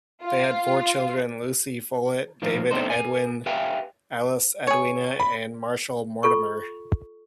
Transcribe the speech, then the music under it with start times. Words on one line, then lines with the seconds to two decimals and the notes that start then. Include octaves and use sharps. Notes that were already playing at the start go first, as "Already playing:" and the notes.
They had four children: Lucy Follett, David Edwin, Alice Edwina and Marshall Mortimer.
0.24 F4
2.42 A2 D#3 F3 A#3
2.71 A3 B3 C4 D4 D#4 C5
2.90 A#4 G#5
3.46 G4 B4 E5 F5 G5 G#5
4.67 G#4 C#5
5.20 B5
6.23 F4 A4 C#6